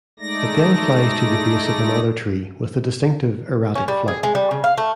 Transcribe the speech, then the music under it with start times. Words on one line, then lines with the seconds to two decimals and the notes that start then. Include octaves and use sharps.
It then flies to the base of another tree with a distinctive erratic flight.
0.20 G#3 A3 D#4 D5 A#6
3.75 C#4
3.88 G3
4.08 G#4
4.23 G#3
4.35 G3
4.51 C#3
4.64 F5
4.78 A3